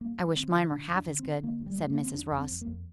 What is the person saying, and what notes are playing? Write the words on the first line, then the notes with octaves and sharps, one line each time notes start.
"I wish mine were half as good," said Mrs. Ross.
G2 A#3
G2
D3 C4
D3
D3 D4
F2
D4
D3
C4
D3
D3 A#3
G2
G3
G2 A3
A#3
D3
C4
F2 D4
F2
C4
F2
A#3
F2